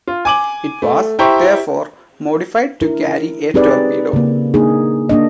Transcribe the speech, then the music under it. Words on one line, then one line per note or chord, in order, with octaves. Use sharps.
It was therefore modified to carry a torpedo.
F4
G#5 D6 F#7
A3
E4 G4 C5 G5 A#5 C#6
D4 E4 A#4
C4 D#4 G4 G#4 B4 D5
C#3 A#3
A#3 D4 D#4 G#4
A#3 D4 D#5